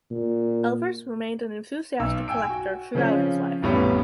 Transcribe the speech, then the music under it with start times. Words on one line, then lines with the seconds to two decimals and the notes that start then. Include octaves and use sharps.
Elvers remained an enthusiastic collector throughout his life.
0.11 A#2
1.99 B1 E6
2.28 G5 G#5 E6 D7
2.50 F#4
2.95 C#3 F3 C4 C#4
3.62 A1 F2 A2 G3 B3 C#4